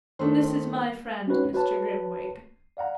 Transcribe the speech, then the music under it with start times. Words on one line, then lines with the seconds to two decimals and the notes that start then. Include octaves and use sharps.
'This is my friend, Mr. Grimwig.
0.19 D#3 A3 D4 D#4 C5
0.42 C4
1.27 C4 C#4 D#4 F#4 B4 C#5
1.53 F#4 B4 C#5 A5
2.77 D5 F5 F#5 A#5